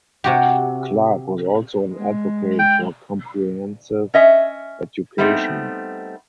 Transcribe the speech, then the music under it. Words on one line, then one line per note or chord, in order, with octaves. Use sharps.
Clarke was also an advocate for comprehensive education.
C3 F#4 G4
G#3
G5
C#4 D#5 E5
G3 A3 B3 C4 D#4